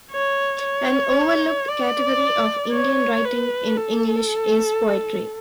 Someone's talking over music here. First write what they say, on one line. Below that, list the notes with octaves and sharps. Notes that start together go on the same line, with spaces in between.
An overlooked category of Indian writing in English is poetry.
C#5
C#5
D5
C#5
B4
A4